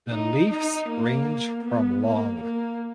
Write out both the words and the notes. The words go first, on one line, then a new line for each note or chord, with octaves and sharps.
The leaves range from long.
D#4
D#4
A#3
B3
A#3
A#3